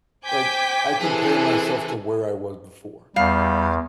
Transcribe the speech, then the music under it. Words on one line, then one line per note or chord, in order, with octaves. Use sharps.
like, I compare myself to where I was before,
C5 G5 G#5 D6 G6 B6
C3 E3 G#4 A4
E2 G3 F5